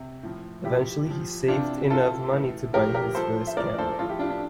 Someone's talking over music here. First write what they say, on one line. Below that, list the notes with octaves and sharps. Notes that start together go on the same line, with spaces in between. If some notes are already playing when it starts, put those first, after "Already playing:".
Eventually, he saved enough money to buy his first camera.
Already playing: C3
A2 F3
A#2 F3 E4 G4
A#2 F3
C3 E3 D4 F4
C3 E3 F4 A4
A2 E3
A2 F3 G4 A#4
G4 A#4
A#2 F3 A4 C5
E5
A2 F3 A#4 D5
A4 C5
A2 F3 F4 A4
E4 G4
D4 F4
D4